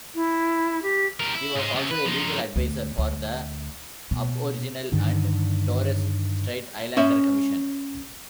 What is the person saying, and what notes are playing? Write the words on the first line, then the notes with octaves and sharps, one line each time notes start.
He was also a legal advisor for the Aboriginal and Torres Strait Islander Commission.
E4
G4
G3 A#4
E4
G#2 G#3
C#2
B4
F3 D#4
D2
D2
B2
G2 D3 D#3
C#4 E5